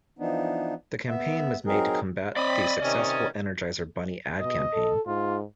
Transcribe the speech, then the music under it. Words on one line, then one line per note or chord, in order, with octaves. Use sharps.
The campaign was made to combat the successful Energizer Bunny ad campaign.
E3 F3 B3 D4 D#4
B3 E5
F#3 C4 D#4 G#4 A#4
C4 D5 D#5 B5
C3 D#3 C#4
B2 D#5
A4
G#2 F4